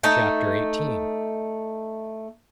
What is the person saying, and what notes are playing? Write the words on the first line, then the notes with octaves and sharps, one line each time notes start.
Chapter XVIII.
A3 D#4 A5